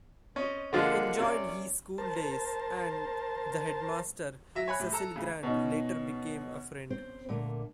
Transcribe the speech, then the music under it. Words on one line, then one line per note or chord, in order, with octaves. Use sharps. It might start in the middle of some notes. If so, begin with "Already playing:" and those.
He enjoyed his schooldays, and the Headmaster, Cecil Grant, later became a friend.
C4 C#4 D#5
D3 F3 G#3 A#3 F#5
C3 C#4 D5
A#4 C5 A5
F#3 E5 A#6
C#5 G#5 B5 F#6
A2 C3
A4 A5 A#5 E6
A2 C#3
B2 C#4 D#4
C4 C#4 C5
A#2 D3 A3 A#3